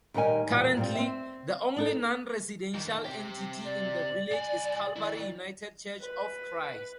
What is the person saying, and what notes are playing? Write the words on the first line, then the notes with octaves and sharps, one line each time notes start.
Currently, the only non-residential entity in the village is Calvary United Church of Christ.
D#2 A#2 G3 A#4 D#5 G#5
E2 A#2 G3
A#2 G3 C4
C4 E5
D4 D#4 A4
F2 D#3
C3 G4
D5
C2 G#5
D#3 E4
B4